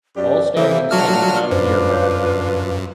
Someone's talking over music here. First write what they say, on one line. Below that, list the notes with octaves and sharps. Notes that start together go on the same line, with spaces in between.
All standings can be found here.
F#2 G4 D5
E3 A#3 E4 A4 C5 E5
D3 F#3 D4 F4 F#4 A5 F6
F#2 B4 C5
C#5 F5